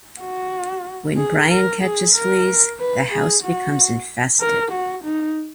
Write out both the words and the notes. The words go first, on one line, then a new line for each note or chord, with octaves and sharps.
When Brian catches fleas, the house becomes infested.
F#4
G#4
A#4
G#4
A#4
B4
G#4
F#4
A#4
F#4
D#4